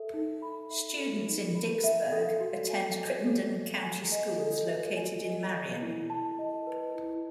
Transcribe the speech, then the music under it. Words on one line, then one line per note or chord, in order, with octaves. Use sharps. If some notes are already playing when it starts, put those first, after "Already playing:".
Students in Dycusburg attend Crittenden County Schools located in Marion.
Already playing: A4 E5
D#4
B5
E5
A4
D#4
B5
E5
A4
F#4
G#5
D#5
A4
F#4
G#5
D#5
A4
F#4
G#5
D#5
A4
E4
A5
D#5
B4
E4